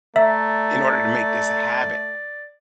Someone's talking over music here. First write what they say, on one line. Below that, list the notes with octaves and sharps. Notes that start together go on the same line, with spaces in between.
in order to make this a habit.
A3 D5 E5 A#5